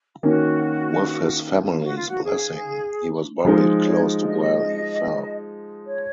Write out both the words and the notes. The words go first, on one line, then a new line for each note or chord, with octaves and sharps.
With his family's blessing, he was buried close to where he fell.
D#3 A#3 C#4 F#4
F#4
F4
F#4
G#4
F3 G#3 D#4 A#4
C#5
D#5
C#5